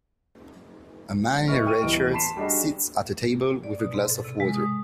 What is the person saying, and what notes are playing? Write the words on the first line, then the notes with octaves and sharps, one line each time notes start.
A man in a red shirt sits at a table with a glass of water.
B4 D#5 E5 C#6 F6
G5 C#6 F6 D#7
D1 E3 G3 B3 D#5 D7
A5 B5 C6 B6 C7 E7
G3 D4 D#4 F#4 G#4
D5
B2
G#2
A4
C3
G#3
D#6